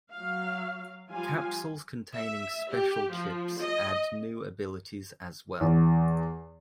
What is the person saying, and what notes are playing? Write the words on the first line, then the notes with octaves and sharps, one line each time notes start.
Capsules containing special chips add new abilities as well.
F#3 F5
F3 G3 F4 F5 G#5
E5
G4
F3
D#5
E2